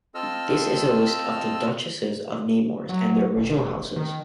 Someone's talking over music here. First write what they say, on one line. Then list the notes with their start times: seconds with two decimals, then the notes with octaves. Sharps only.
This is a list of the Duchesses of Nemours and their original houses.
0.15 C4 F4 A4 D#5 E6 F6
2.89 F#3
3.36 E1
3.96 D#3